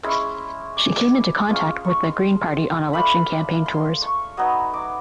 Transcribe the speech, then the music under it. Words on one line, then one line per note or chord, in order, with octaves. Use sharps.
She came into contact with the Green party on election campaign tours.
G#3 C#4 E4 C6
D6
D6
G#3 C#4 F4
C#6
C6
A3 D4 F4 B5
C6
C#6
F#3 B3 D#4 D#6
D6